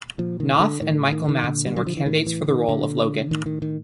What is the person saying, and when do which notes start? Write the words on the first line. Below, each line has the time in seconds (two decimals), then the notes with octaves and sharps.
Noth and Michael Madsen were candidates for the role of Logan.
0.18 A#2 F3
0.40 D#3
0.55 D#3
0.60 D3
0.81 A2 D#3
1.12 D#3
1.29 D#3
1.44 A#2 D3
1.66 G3
1.76 F#3
1.87 F3
1.97 E3
2.06 A2 D#3
2.27 E3
2.48 D#3
2.69 A#2 D3
3.31 A2 D#3
3.46 D#3
3.62 D#3